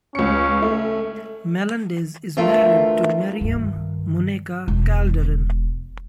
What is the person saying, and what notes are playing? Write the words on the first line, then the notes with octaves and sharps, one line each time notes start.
Melendez is married to Miriam "Muneca" Calderin.
C#2 C#4 C#7
A3
D2 E3 A3 F4 A#4 E5
G2 D#3
E1